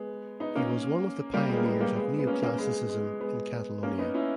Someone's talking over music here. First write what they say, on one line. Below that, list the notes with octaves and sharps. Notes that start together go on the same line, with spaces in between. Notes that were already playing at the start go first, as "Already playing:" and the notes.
He was one of the pioneers of Neoclassicism in Catalonia.
Already playing: G#3 B3
B3 D#4
A#3 C#4
G3 A#3
G#3 B3
A#3
G#3 B3
G3 A#3
G#3 B3
B3
A#3 C#4
A#3 C#4
C#4
G#3 B3
G#3
G#3
G#3 B3
A#3 C#4
B3 D#4
C#4 E4